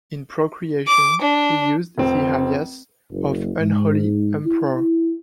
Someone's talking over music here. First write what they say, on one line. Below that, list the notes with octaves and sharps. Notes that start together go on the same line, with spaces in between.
In Procreation, he used the alias of Unholy Emperor.
D6
D4
F1 C4
F#1
G#2
E4